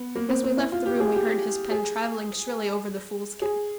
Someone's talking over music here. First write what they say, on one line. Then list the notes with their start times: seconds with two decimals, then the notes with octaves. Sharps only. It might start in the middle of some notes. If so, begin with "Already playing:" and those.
As we left the room, we heard his pen travelling shrilly over the foolscap.
Already playing: B3
0.15 A#3
0.29 C4
0.44 C4
0.57 E4
0.72 F4
0.86 G4
1.00 G#4
1.15 G4
1.71 G#4
3.42 G#4